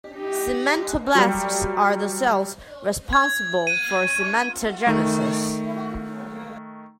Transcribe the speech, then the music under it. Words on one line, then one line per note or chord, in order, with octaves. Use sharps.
Cementoblasts are the cells responsible for cementogenesis.
D#4 G4
F#3 G3
G#6
D#7
D#3 A3